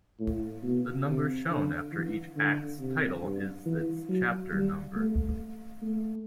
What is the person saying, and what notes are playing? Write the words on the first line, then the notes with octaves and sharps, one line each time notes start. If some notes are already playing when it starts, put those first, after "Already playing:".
The number shown after each Act's title is its chapter number.
A2
B2
C3
D3
E3
D3
C3
G2
E3
F#3
G3
A3
A3